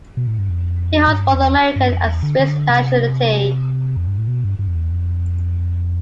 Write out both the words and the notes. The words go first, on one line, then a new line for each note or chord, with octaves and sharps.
He holds both American and Swiss nationality.
B2
A2
G2
F2
A2
G2
E2
G2
F2
E2
D3
D3
C3
F2
G2
A2
B2
G2
G2
F2
E2
F2